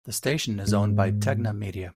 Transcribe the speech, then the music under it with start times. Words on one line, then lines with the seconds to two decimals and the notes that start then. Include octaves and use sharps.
The station is owned by Tegna Media.
0.67 G#2